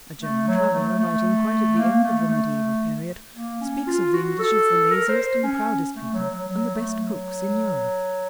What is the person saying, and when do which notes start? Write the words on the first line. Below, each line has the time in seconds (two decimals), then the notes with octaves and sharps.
A German traveller, writing quite at the end of the mediaeval period, speaks of the English as the laziest and proudest people and the best cooks in Europe.
0.21 A3
0.47 F#3
0.73 A3
0.99 A3
1.78 A#3
2.03 A3
2.30 A3
3.34 A#3
3.61 C#4
3.87 F4
4.13 F#4
4.39 A4
4.91 A#4
5.09 C5
5.43 C#4
5.96 A3
6.13 F#3
6.31 F#3
6.48 F#3
6.74 A3
7.00 F#3